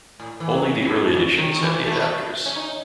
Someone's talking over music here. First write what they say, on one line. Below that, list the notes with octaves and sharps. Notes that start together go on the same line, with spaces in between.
Only the early editions have the adapters.
A2
E3
F#3
B2
C#3
D#3
D#3
E3
A3
B3
A3
C#4
D#4